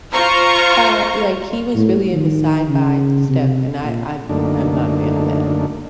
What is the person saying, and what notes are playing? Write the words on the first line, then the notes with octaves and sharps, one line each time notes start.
uh, like, he was really into sci-fi stuff and I I'm I'm not a fan of that
F4 C5 A#5 C#6
A2
D#3
C#3
C3
A#2
F#2 D3 A3 A#3 D4 D#4